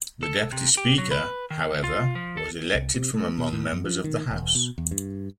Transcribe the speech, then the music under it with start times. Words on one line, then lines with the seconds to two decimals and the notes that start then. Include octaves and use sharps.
The Deputy Speaker, however, was elected from among members of the House.
0.23 A4
0.52 C3
0.77 G4
0.98 F#3
1.11 B4
1.50 D#3
1.84 F4
2.15 F3
2.37 A4
2.75 C2
2.94 C3
3.14 A3
3.38 B2
3.53 A2
3.72 F#2
3.85 F3
4.04 D#3
4.31 E1
4.55 B2
4.78 E2
4.91 G2